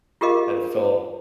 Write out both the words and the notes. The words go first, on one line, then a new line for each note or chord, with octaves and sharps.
had to fill
F4 G4 G#4 A#4 D#5 F5